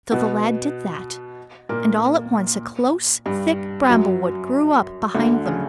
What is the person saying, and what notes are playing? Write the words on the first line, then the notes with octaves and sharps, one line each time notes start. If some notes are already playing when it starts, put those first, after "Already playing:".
So the lad did that, and all at once a close, thick bramblewood grew up behind them.
B2 B3
A#2 A#3
G2 G3
F#2 F#3
D2 D3
C#3